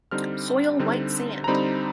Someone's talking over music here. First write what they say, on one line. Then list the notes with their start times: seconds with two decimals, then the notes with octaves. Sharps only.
Soil white sand.
0.11 D3 G3 C4 D#4 F6
0.79 D3 G3 C4 D#4
1.44 A#5
1.47 D3 G3 C4 D#4 B5